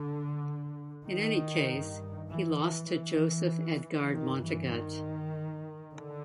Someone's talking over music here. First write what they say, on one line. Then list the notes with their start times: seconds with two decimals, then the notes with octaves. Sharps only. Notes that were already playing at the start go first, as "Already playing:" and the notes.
In any case, he lost to Joseph Edgard Montegut.
Already playing: D3
1.06 D#3
1.67 G2
2.29 E3
2.58 E3
2.89 E3
4.11 G2 D#3
4.42 E3
4.72 D#3
5.94 D3